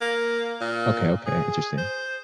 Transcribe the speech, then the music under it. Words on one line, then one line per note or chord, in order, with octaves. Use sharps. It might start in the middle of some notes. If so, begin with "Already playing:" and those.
Okay, okay, interesting.
A#3
A#2
G#4
C5